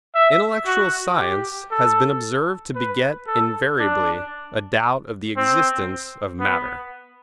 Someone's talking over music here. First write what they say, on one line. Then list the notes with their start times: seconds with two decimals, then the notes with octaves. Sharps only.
Intellectual science has been observed to beget invariably a doubt of the existence of matter.
0.15 E5
0.66 F#4
1.19 G4
1.71 A4
2.75 B4
3.27 A4
3.80 D4
5.37 C4
6.40 B3